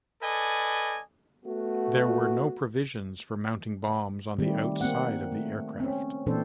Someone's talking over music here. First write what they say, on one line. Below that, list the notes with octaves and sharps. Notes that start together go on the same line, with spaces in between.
There were no provisions for mounting bombs on the outside of the aircraft.
A4 B4 D5 D#5 G#5
A3 B3 F#4
D#3 G3 A3 C4
A#3 C4 F#5
A3
C4 C#4
A#2 E3 C4 D4 A4 C5